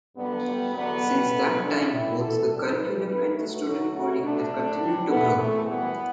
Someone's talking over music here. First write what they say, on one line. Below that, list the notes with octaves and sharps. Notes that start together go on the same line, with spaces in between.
Since that time, both the curriculum and the student body have continued to grow.
G2 D3 F#3 B3
A2 G3
E2 D3 F#3 B3
B2 G3
B2 A3
F#2 E3 A3 D4
A2 G3 E4
F#2 E3 A3 A4
E2 C3 G3
A2 E3 G3 B4
G2 D3 A3 B4
B2 F#3 A3
B2 F#3 A3 F#4
B2 A3 F#4
B2 A3 D4
A2 F#3 A3
B2 G3
E2 D3 A3 B3
E2 C3 E3 A3
F#2 E3 G3 B3